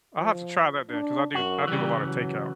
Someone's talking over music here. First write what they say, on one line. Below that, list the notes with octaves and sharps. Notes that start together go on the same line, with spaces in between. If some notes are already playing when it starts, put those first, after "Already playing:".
I'll have to try that then 'cause I do I do a lotta takeout.
F3
D4
F#2 F#4
C#3 E3 G3
F#3